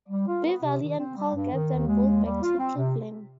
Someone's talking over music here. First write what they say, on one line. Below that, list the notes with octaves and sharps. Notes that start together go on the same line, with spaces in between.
Beverly and Paul get them both back to Cleveland.
G3
F4
B3
C3
D#3
C4
G3
G2
D#3
D#2
G#3
D#2
G3
F4
C4
C3